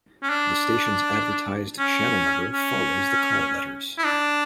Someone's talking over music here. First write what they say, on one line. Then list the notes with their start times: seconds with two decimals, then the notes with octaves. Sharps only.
The station's advertised channel number follows the call letters.
0.23 C#4
0.30 D4
1.79 C#4
2.53 C#4
3.98 E4
4.04 D4